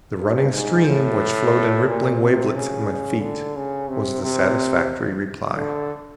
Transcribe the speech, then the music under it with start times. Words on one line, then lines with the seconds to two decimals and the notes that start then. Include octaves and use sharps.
The running stream, which flowed in rippling wavelets at my feet, was the satisfactory reply.
0.19 G2
0.52 G#2
0.87 A2
1.87 A#2
2.21 C3
2.55 C#3
3.22 D3
3.56 C#3
3.89 C3
4.22 C3
5.57 D3